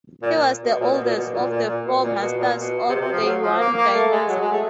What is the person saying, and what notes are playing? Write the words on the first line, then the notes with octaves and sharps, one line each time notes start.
He was the oldest of the Four Masters of the Yuan Dynasty.
A#2
B2
A#2
B2
A#2
B2
A#2
A#2
A#2
B2
A#2
B2
A#2
B2
C3
B2
C3
F3
F#3
F3
A#3
A#3
A3
G#3
F#3
G#3
A3